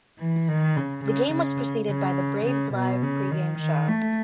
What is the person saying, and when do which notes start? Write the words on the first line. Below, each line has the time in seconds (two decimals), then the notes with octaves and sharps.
The game was preceded by the "Braves Live" pregame show.
0.19 E3
0.48 D#3
0.76 C#3
1.04 C#3
1.32 C#3
1.89 C#3
2.46 C#3
2.74 B2
3.02 C#3
3.31 D#3
3.59 D#3
3.87 A3